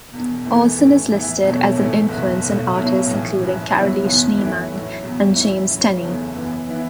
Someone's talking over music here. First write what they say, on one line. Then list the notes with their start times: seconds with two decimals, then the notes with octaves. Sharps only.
Olson is listed as an influence on artists including Carolee Schneemann and James Tenney.
0.12 E1 E2 B2
0.44 E2 E3 A3
0.78 A2 E3 A3
1.10 E2 E3 B3 E4
1.43 E1 E2 B2 F#3 A3
1.76 A2 E3 A3 C#4 E4
2.09 F#1 E2 B2 B3 E4
2.42 B1 A2 A3
2.74 B1 B2 F#3 C#4 E4
3.06 A1 A2 E3
3.39 F#1 F#2 C#3 E3
3.72 C#2 C#3 F#3 B3 E4
4.04 F#1 E2 E3 B3
4.37 F#2 E3 A3 C#4 E4
4.70 A2 F#3 C#4 E4
5.02 E2 C#3 F#3
5.35 A2 E3 C#4 E4
5.68 F#2 C#3 F#3
6.01 F#1 E2 C#3 E3 A3
6.33 F#2 E3 B3
6.67 E3 B3 E4